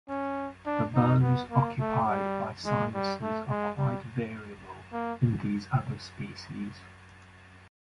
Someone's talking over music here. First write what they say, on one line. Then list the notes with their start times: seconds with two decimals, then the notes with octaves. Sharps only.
The bones occupied by sinuses are quite variable in these other species.
0.09 C#4
0.66 D4
0.95 D#4
1.22 B3
1.51 A#3
1.80 A3
2.09 G3
2.65 G#3
2.94 G3
3.22 A3
3.50 G#3
3.78 G3
4.93 A#3